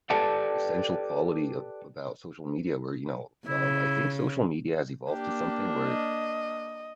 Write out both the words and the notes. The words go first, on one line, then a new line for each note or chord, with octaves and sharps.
essential quality of about social media where, you know, um I think social media has evolved to something where
G4 A4 B4 D5 G5 A5
C#3 E4
A#3 D4 G4
D#5